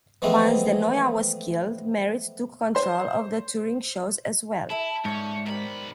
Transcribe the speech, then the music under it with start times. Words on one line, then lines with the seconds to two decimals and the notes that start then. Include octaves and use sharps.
Once De Noia was killed, Merritt took control of the touring shows as well.
0.22 E3 F3 G#3 A3 B3 C4
2.75 C5 C6
4.70 E4 A4 E5
5.05 G#2 A3 C#4 D4 C#5
5.46 B1 D#3 G3 C4 B5